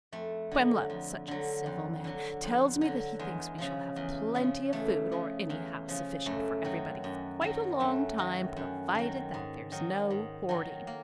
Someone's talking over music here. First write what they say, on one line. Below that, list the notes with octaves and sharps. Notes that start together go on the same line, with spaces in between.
Twemlow--such a civil man-- tells me that he thinks we shall have plenty of food, or anyhow sufficient for everybody for quite a long time, provided that there's no hoarding.
F2 A3
D3 F#3
F2
D3 F#3
F2
D3 F#3
F2
D3 F#3
E2 G#3
C#3 F3
E2
C#3 F3
E2 A3
C#3 F3
E2
C#3 F3
F#2 A3
D#3 F#3
F#2
D#3 F#3
F#2 A3
D#3 F#3
F#2
D#3 F#3
G#2
D#3 F#3
G#2
D#3 F#3
A#3